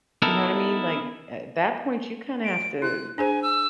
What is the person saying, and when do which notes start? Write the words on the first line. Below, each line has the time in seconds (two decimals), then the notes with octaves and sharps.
You know what I mean? Like, uh, that point, you kinda have to,
0.22 B3 D#4 E4 A4 A#4
2.45 D7
2.82 E4 F#6
3.18 D4 G#4 C5 G#5
3.43 E6